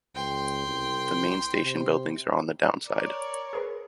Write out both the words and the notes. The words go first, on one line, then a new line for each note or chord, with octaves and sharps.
The main station buildings are on the Down side.
C#2 G5 C6
C2
C3
A#4 C#5 D5
G#4 A#4 B4